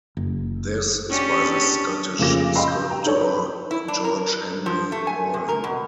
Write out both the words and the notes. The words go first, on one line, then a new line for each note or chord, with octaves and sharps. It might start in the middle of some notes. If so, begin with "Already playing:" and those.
This is by the Scottish sculptor George Henry Paulin.
F#1
C#4 D4 G4
F1 C#3 F3 A#3 D6 A#6
D#5 F5 G5 B5 C6 E6
G6
G5 A#5
D#4 A4 C#5
B4
E4
D4
A#4
F3
A3
G#5
C3
A#4
B2